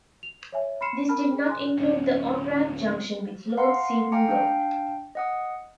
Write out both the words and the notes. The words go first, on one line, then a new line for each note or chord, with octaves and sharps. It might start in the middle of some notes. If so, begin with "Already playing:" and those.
This did not include the on-ramp junction with Lord Seaton Road.
F7
C#5 E5 G#5
B5 C6 F6 C7 C#7 E7
A#4 A5 B5 F6
G#4
G#5 C6 F#6
D1 B1 C#4
F5 F#5 A#5 C6
F5 G5 G#5 A#5 D6 C#7
D4 F5 G5
D#5 F#5 D#6